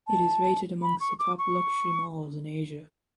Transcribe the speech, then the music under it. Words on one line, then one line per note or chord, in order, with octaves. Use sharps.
It is rated amongst the top luxury malls in Asia.
A5
B5
C#6
D6
C#6